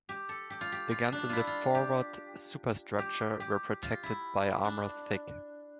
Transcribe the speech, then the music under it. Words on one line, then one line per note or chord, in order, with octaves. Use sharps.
The guns in the forward superstructure were protected by armour thick.
G4
A4
G4
F4
G4
F4
D4
E4 F4
F4
G4
G4
G4
F4
E4
D4